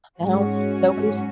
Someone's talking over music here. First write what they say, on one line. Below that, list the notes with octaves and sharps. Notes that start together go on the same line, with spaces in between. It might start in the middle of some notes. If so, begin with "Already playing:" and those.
No nobody's
G#2 G#3 C#4 F#4
G#2 F#3